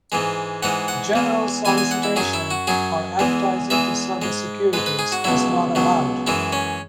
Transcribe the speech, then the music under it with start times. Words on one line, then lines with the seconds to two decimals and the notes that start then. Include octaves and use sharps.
General solicitation or advertising to sell the securities is not allowed.
0.12 G#2 E3 G#3
0.63 G#2 E3 G#3 F#5
0.88 F#5
1.13 E2 E3 G#3
1.65 E2 E3 G#3 G#5
1.78 G#5
1.91 F#5
2.03 E4
2.16 F#2 F#3 G#4
2.33 E4
2.51 F#4
2.67 F#2 F#3 G#4
3.19 E2 E3 G#3
3.70 E2 E3 G#3 E5
4.22 G#2 G#3
4.73 G#2 G#3 B4
4.86 B4
4.99 G#4
5.12 F#4
5.24 C#2 B2 F#3 E4
5.75 C#2 B2 F#3
6.27 F#2 E3 G#3 E4
6.52 C#4